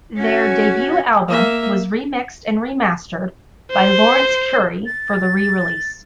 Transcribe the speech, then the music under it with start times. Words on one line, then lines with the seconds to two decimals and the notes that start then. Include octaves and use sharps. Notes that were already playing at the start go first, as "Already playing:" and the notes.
Their debut album was remixed and re-mastered by Laurence Currie for the re-release.
0.18 C#4 F#4
1.28 A#3 E5
3.71 C5
4.85 A6